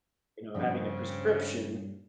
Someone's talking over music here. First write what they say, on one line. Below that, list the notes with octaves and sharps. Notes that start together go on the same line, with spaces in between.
you know, having a prescription,
G2 C#3 F3 C4 C#4 D5